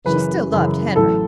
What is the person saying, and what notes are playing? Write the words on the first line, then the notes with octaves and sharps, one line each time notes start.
She still loved Henry.
F#1 F#2 C#3 E3 B4
F#1 F#2 C#3 E3
A1 A2 F#3 A4